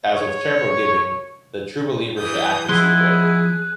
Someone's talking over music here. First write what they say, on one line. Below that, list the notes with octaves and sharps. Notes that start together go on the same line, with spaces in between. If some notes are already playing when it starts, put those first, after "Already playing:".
As with charitable giving, the true believer should act in secret.
C#5
E3 D#6 G6
F3 G#3 B3 E4 G#4 C6 F#6